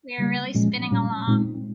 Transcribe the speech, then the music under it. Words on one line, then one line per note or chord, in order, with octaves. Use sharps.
We are really spinning along.
C#3 G3 A#3
A#2 F3 G#3 C#4
A#2 G3 C#4
A#2 G#3 C4 D#4